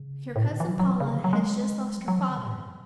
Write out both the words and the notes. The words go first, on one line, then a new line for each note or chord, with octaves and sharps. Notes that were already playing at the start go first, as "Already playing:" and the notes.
Your cousin Paula has just lost her father.
Already playing: C#3
A2
B2
D3
E3
F#3
F#3
C#3
D3
E3
F#3
G#3
F#3
F#3
E3
D3
B2
A2
F#2